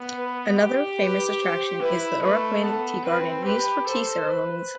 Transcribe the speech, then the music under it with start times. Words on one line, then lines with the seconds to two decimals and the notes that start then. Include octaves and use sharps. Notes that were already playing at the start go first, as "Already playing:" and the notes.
Another famous attraction is the Urakuen tea garden used for tea ceremonies.
Already playing: B3
0.17 B4
0.57 G4
0.98 B4
1.39 C5
1.81 E4 B4
2.21 A3 B4
2.62 B3 A4
3.03 C4 B4
3.44 G4 B4
3.85 A4 C5
4.27 B4